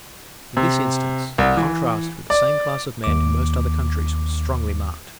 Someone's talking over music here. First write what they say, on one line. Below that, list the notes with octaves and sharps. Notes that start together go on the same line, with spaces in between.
In this instance, the contrast with the same class of men in most other countries was strongly marked.
C3
C2
E3
D5
D#2 D6